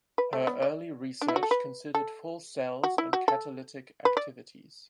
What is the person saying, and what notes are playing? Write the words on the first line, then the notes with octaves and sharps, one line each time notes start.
Her early research considered full cells and catalytic activities.
B4
A3
B3
D5
D4
E4
F#4
A4
B4
A4
F#4
E4
F#4
A4
B4
D5